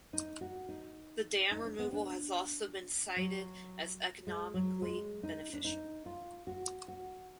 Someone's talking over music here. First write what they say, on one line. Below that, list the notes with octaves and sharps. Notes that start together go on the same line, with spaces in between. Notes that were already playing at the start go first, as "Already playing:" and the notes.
The dam removal has also been cited as economically beneficial.
D#4
F#4
D#4
D#4
D4
B3
D4
F#3
G#3
F#3
G#3
D#4
D4
D#4
F4
F#4
F#4